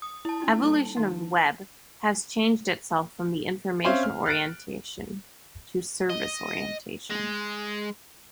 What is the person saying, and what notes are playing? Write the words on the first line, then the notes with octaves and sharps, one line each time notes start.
Evolution of Web has changed itself from the information orientation to Service orientation.
D#6
E4 A5
C#4 D#4 F4
G3 A#3 A4
D#3 D#4 F5
C4 C#4 C5 C#5 E5 F5
F6
F6 F#6 A6 D7
D#5
G#3